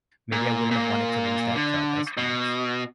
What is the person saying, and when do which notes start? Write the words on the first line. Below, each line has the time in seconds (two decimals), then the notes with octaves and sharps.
maybe I wouldn't have wanted to lose that job as much.
0.32 A#2
0.71 A#2 A#3
1.56 D3
2.17 B2